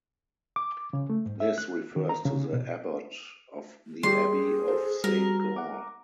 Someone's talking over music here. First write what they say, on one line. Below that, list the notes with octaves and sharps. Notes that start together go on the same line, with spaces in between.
This refers to the abbot of the Abbey of Saint Gall.
D6
C#3
A3
G#2
E5
F#6
D#3
A#5
C#3
B2
G3 G4 G#4 C6
A4 C5
G3 F#4 A#4
F#5 D6